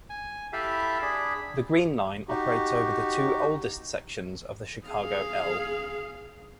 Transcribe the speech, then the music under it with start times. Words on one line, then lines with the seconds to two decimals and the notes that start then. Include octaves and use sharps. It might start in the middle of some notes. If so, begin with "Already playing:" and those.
The Green Line operates over the two oldest sections of the Chicago "L".
0.10 G#5
0.53 E4 G4 A4 E5 F5 B5
1.02 D4 G#4 B5
2.28 D#4 F#4 G4
4.87 G#4 F5